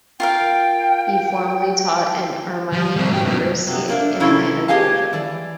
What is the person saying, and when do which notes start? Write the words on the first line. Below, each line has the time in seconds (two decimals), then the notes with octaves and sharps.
He formerly taught at Emory University in Atlanta, Georgia.
0.20 F4 A#4 F5 G5
2.73 F3
2.96 G3 C4
3.10 G#2 G5
3.25 F#2 B2
3.67 C3 B3
3.88 A3 A#3 D4
4.20 C3 A3 C#4 E4 F4 A4
4.68 G4 G#4 D#5 F5 G#5 A5
5.13 E3 D5